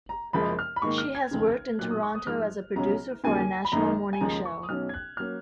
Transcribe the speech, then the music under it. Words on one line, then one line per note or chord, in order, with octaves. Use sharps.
She has worked in Toronto as a producer for a national morning show.
A#5
F#1 F#2 F3 G#3 B5
F6
B5
G#2 D#3 A#3 C#6
F6
G#6
F1 D#2 C#3
B1 A#2 F#3 F#6
D#6
C#6
D#6
G#2 F3 G#3 F6
C#2 B2 F#3 C#4 A#5
D#2 C#3 F#3 A#3 G#5
B5
F#2 D#3 A#3 D#4 A#5
G#5
D#2 C#3 F3 G#3 D#4 A#5
C#6
D#6
B1 B2 F#3 C#4 F6
G#6
F#6
F#3 A#3 C#4 F6